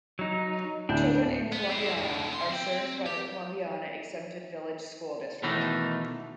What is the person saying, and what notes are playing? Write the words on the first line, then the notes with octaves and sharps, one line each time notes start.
Children in Columbiana are served by the Columbiana Exempted Village School District.
F#3 D#4
D2 A2 D4 G6
B3
C4 E4
F2 A2
D3 C6
C4
G4
B2 D#3 E3 A3 D#4